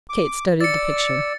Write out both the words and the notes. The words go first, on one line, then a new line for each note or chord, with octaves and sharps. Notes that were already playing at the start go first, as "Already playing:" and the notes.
Kate studied the picture.
D6
D5 E6 A6 C#7